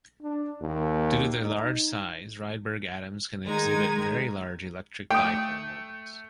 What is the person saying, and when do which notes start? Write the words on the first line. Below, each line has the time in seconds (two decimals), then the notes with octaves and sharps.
Due to their large size, Rydberg atoms can exhibit very large electric dipole moments.
0.22 D4
0.60 D#2
1.41 D#4
3.46 D#3 G#3 D#4 G#6
5.10 A3 G5 D#6